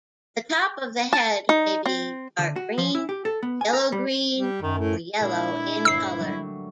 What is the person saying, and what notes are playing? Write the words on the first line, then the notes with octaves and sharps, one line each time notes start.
The top of the head maybe dark green, yellow-green or yellow in colour.
A5
D#4
C4
D3
F#4
F3
E4
G4
A4
B3
G#5
A#4
G3
G3
F#2 D#3
A2
A#2 G#3 D4 E4
G1 E6 C7
F#3 G3 A3